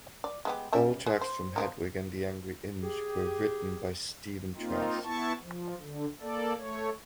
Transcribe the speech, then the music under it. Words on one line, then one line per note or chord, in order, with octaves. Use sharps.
All tracks from "Hedwig and the Angry Inch" were written by Stephen Trask.
D5
G#3 B3 G4
G3 C#4 E5
G#3
C5
F3 G4 A#4
G4 G#4
A#3 C4 D#4 F4
B3 E4 A5 C#6
F3
D3
A#3 A4 D5
A3 C#5